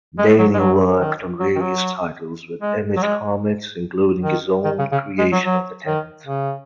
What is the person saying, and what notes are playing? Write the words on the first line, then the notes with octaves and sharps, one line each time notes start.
Daniel worked on various titles with Image Comics including his own creation The Tenth.
G#3
F#3
G#3
F#3
D#3
F#3
D#3
F#3
G#3
F#3
G#3
D#3
D#3
C#3
C#3
G#3
F#3
F#3
D#3
C#3